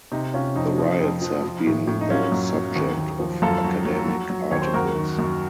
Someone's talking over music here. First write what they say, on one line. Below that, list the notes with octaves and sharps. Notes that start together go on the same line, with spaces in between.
The riots have been the subject of academic articles.
C3 D#4
C3 C#4 F4
F2 D#4
F3
F2
F3
F3
A2
A2
D#4
F#3 C#4 F4
F#2
F#3
D#2
D#2
F3
F#2 F4 A4
F#3
F#3
F#3
F#3
D#2 C#5
C5
F#2 F#4 A#4
D#3
F#2